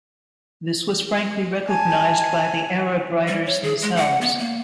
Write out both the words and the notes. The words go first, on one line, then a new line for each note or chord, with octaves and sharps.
This was frankly recognised by the Arab writers themselves.
G#5 A5
G3
C#5
G#4
G#3
F#5
B3
A#3